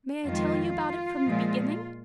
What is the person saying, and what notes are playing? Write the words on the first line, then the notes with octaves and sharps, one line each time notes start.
'May I tell you about it from the beginning?'
F2 D#3 G#3 F4
A#2 F3 G#3